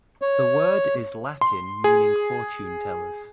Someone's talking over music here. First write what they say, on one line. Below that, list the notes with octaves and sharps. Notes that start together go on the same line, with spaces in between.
The word is Latin meaning fortune tellers.
C#5
C6
G#4